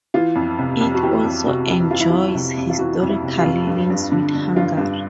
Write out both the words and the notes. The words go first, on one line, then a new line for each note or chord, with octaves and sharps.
It also enjoys historical links with Hungary.
E3 F4
F2
C3
F2
F#4
E3 G4
F2
C3 F#4
F2
E3 F4
E4
F2 F4
C3
F2
F4
E3 F#4
F2
E4
C3
F4
F2
G2
G2
D3
D3
G2 F4
G2